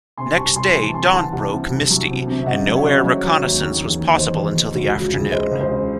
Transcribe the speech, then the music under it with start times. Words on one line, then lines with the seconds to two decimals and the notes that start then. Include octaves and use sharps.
Next day dawn broke misty and no air reconnaissance was possible until the afternoon.
0.17 C3 G#5 C6
0.37 C2 A5 C#6
0.56 C2 G#5 C6
0.75 E3 G#5 C6
0.88 A5
0.94 C3 G#5 C6
1.07 C6
1.13 E3 F#5 A5
1.32 C2 F#5 A5
1.51 C3
1.70 C2
1.89 F#3
2.08 C3
2.28 C3
2.42 E5
2.46 C#3 D#5 F#5
2.65 F#3
2.75 C#5 E5
2.84 C#3
2.97 F#5
3.03 F#3 C#5 E5
3.23 F#3
3.42 D#2
3.61 D#3
3.79 E2
3.99 D#3
4.17 E2 C5 D#5
4.37 E2
4.56 E2
4.74 C#2 F#4
4.94 C#2 F#4
5.13 C#2 G#4
5.31 C#2 C5 D#5
5.51 C#2
5.60 C5 D#5
5.70 C#3